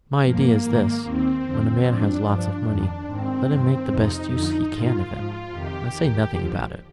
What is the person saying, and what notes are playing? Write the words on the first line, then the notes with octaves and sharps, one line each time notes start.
My idea is this,--when a man has lots of money, let him make the best use he can of it, and say nothing about it.
G2 F3 A#3
G#2 D#3
D#2 D#3 C4
F2 D3 F3
G#2 F3 D4
G2 F3 D4
F2 D#3 D4
G#2 D#3 C4
G2 D#3
F2 C3 F3 D#4
F2 D3 F3
G#2 D#3 F4
G#2 F3
F2 C3 D#3 G4
D#2 D#3
D#2 D3 F3